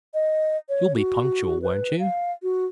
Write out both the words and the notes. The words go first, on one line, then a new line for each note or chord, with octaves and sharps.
"You'll be punctual, won't you?"
D#5
C#5
F#4
B4
F5
F#4